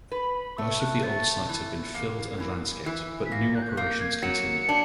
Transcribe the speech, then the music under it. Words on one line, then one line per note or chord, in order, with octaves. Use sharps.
Most of the old sites have been filled and landscaped, but new operations continue.
B4 B5
B5
A3 E6
F#6
A3 A6
E3
A#3
E3
E3
B6
A#3 A#6
F#6
G6
F#6
A#3 G6
G#6
F#3 C#7
D4